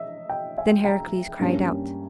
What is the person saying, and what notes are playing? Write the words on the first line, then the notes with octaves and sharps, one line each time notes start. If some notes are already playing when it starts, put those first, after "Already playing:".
Then Heracles cried out.
Already playing: D#5 E5
D#5 G5
E5 G#5
G5 A#5
G2 G3 A#3 C#4